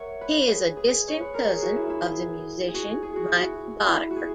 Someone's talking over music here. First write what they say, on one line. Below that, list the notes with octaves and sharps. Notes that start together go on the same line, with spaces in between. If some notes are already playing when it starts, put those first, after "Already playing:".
He is a distant cousin of the musician Michael Boddicker.
Already playing: A#4 C#5 E5 F#5
B4
G#4
G#4
C#5
B4
A#4
G#4
F#4
E4
E4
G#4
G#4
F#4
G#4
F#4
E4
F#4
E4
F#4
G#4